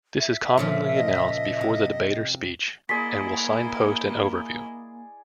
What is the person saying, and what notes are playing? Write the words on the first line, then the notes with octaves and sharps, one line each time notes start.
This is commonly announced before the debater's speech and will signpost an overview.
E5
A#2 C#3 F3
D#5
C3
A#3 E4 G#4 D5 D#5 C6 B6